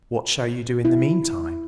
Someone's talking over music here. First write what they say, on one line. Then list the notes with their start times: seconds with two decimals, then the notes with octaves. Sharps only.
'What shall you do in the meantime?'
0.85 E4